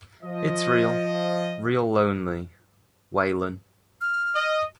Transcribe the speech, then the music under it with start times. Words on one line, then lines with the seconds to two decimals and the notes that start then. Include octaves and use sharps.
It's real, real lonely, Waylon.
0.23 F3 D#5
4.01 F6
4.34 D#5